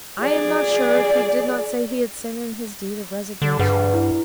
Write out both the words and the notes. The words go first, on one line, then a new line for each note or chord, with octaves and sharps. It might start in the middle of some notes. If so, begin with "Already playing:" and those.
I am not sure if he did not say he had sent in his deed of resignation.'
G#4 D5
D3
G2 G#4 B4 F#5
E4